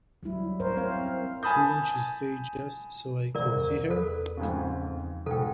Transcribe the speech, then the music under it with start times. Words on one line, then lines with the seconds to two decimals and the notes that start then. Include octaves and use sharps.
Couldn't she stay, just so I could see her?
0.23 F#3 G3 E4
0.60 A#4 C5 C#5
0.77 C4 C5 F5
1.43 G#5 A5 B5 D#6 G6
3.35 C2 C3 A#4 D5
3.56 E2
3.90 A4 B4
4.37 F2 G#2 C#3
5.26 G#2 B2 A4 G5